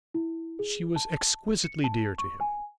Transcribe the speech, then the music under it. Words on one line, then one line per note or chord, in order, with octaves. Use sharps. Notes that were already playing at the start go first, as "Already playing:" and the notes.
She was exquisitely dear to him.
E4
G#4
A5
C#7
A5
C#6
G#5